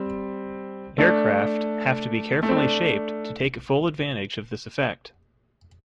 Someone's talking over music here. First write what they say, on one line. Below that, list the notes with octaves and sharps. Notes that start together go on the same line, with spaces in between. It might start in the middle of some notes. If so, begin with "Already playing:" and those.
Aircraft have to be carefully shaped to take full advantage of this effect.
Already playing: G3 C4
A3 D4
A3
C4
A3 D4